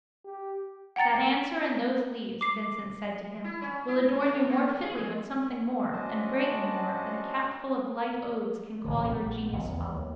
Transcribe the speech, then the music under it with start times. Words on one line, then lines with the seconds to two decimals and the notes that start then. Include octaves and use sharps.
That answer and those leaves, Vincent said to him, will adorn you more fitly when something more, and greatly more, than a capful of light odes can call your genius father.
0.25 G4
0.96 F#5 G5 A#5 A6 C#7
2.41 D6 C7
3.44 E4
3.62 C#4
3.88 E4
4.04 A2
4.22 A3
4.35 A2
4.49 C4
4.70 A3
4.84 G#4
4.98 F2
5.92 C#4 D4 F#4 C5 D#5 A5
8.85 A1 D3
9.05 A#1 C#3 B3
9.53 G#1 C#2
9.70 E2
9.94 D#2